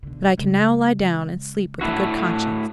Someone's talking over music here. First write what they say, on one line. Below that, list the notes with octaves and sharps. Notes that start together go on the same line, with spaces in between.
"But I can now lie down and sleep with a good conscience."
B1 D3
C#3 G#3
A3 D4 E4 F#4